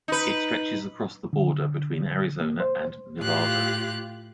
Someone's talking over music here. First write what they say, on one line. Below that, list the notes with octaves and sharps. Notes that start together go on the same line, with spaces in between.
It stretches across the border between Arizona and Nevada.
D#4 B4
D3
A#3
C5
A2 F4 G4 F5 F#6